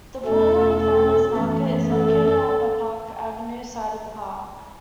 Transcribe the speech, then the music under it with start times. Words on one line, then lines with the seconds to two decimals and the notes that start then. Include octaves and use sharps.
The Portland Farmers Market is located on the Park Avenue side of the park.
0.25 E2 B2 A3 C#4 A4
0.80 A4
1.36 F#2 E3 A3 B3
1.91 A4